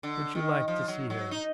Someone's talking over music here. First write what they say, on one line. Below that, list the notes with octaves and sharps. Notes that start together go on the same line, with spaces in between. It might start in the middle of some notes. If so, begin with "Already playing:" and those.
Would you like to see her?
D3
D#3
F3
F#3
F#3
D#4